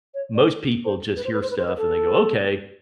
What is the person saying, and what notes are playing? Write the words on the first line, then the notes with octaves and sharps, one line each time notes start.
Most people just hear stuff, and they go, "Okay,"
C#5
D5
C5
B4
C5
B4
C5
B4
C5
B4
A4